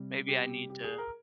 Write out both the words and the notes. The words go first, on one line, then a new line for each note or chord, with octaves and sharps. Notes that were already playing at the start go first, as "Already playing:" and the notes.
Maybe I need to
Already playing: C3 G3
G4
G4
G#4
A#4